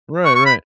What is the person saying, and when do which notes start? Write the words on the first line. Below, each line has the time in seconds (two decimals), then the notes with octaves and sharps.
Right, right.
0.25 C#6
0.36 C#6
0.46 B5